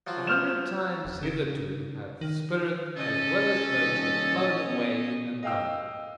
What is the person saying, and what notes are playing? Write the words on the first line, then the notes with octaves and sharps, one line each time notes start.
A hundred times hitherto hath spirit as well as virtue flown away and blundered.
F3 F#3 F4
F6 G6 E7
E1
C#3
D#3
C#3 C#4 A4 D#5
D#1
B3
D#5 F5 G5 E6